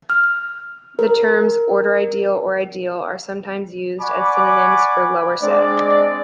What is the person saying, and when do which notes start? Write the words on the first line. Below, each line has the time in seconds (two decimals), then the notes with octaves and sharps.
The terms order ideal or ideal are sometimes used as synonyms for lower set.
0.10 F6
0.99 A#4
4.01 D5 F#5 G#5 B5 C#6 D6
5.42 G#3 C4 D4 D5